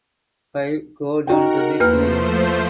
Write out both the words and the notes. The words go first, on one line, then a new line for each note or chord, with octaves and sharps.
Five Go Down to the Sea?
D#4 F#4 A#4 F#5 G5
E2 F3 A3 A#3 B4 C5 F6